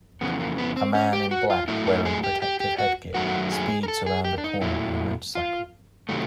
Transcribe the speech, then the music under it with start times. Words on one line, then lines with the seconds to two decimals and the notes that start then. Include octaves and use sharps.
A man in black wearing protective headgear speeds around a corner on a motorcycle.
0.21 F2 C#3 E3 B3
0.40 A#3
0.58 B3
0.77 C4
0.95 C#4
1.13 G4
1.31 F#4
1.50 F4
1.68 A2 F#3 A3 E4
1.87 D#4
2.05 G#4
2.24 G4
2.42 G4
2.60 G4
2.78 F#4
3.14 F#2 D#3 F#3 A3 F#4
3.52 G#4
3.83 A#4
3.88 A4
4.06 G#4
4.25 G4
4.38 D4
4.44 D#4
4.61 A#2 F#3 A3 E4
5.35 F4
6.09 C3 D#3 F#3 A3